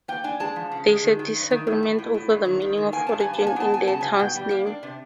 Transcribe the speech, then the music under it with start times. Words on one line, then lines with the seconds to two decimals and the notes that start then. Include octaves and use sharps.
There is disagreement over the meaning and origin of the town's name.
0.08 A#3 G5
0.24 D4 G#5
0.40 G#3 A5
0.56 F3
0.72 C#3
0.88 G#3
1.04 D#3
1.19 D#3
1.35 G2
1.51 D#3
1.67 A2
1.83 A2
1.98 A2
2.14 A2
2.30 G2
2.46 D#3
2.62 D#3
2.77 D#3
2.92 A#3 G#5
3.07 G2 A5
3.20 G2 G#5
3.33 A5
3.41 A#3
3.47 G#5
3.56 B3 A5
3.72 F#3 G#5
3.87 C#3 A5
4.01 C#3 G#5
4.19 B2 G5
4.35 G3
4.51 A#3
4.67 D4
4.83 C3